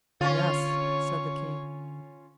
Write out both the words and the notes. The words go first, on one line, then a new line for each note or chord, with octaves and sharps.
"Yes," said the King.
D3 C#4 F4 C#5